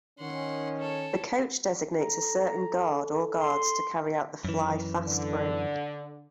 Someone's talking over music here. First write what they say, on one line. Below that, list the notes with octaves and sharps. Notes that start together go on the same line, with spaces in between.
The coach designates a certain guard or guards to carry out the Fly fastbreak.
D#3 C#4 F#5 C6
A4 C#5
A4 A#5
C6
F#2 E3
D3